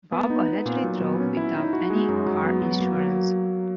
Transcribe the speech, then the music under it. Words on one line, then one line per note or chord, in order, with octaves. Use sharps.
Bob allegedly drove without any car insurance.
B3
D#4
B3
A#2
F#3
B3
C#4
E4
D#4
F#4
G#3
F#2
F#3
B3
F#3
A#3
F#3